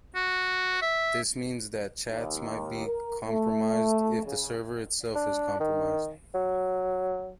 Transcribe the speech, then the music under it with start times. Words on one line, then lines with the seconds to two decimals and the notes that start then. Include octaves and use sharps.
This means that chats might be compromised, if the server itself is compromised.
0.15 F#4
0.82 E5
2.09 D#2
2.87 A#4
3.28 A3
4.25 C#3
5.15 D4
5.60 D#3
6.35 F#3